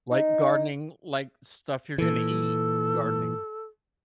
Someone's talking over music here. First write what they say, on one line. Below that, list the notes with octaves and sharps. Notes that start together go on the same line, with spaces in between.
Like gardening like stuff you're gonna eat gardening.
D#4
A#2 E3 A4